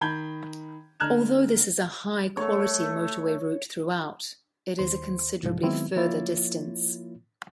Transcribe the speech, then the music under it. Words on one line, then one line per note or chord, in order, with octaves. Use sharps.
Although this is a high-quality motorway route throughout, it is a considerably further distance.
D#3 A#5 B5 G6 G#6 G7
D3 A#5 F6 F#6 G#6 E7
A3 C#5
D#2 C5 C6
C2 G#2 F3
D#3 F#3 G#3 B3 C4 E4
F3 A#3 E4 F4 C#5 A6